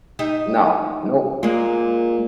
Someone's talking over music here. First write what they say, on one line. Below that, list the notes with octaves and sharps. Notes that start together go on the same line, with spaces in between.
No, nope.
D#4 G4 E5
A#2 G#3 A#3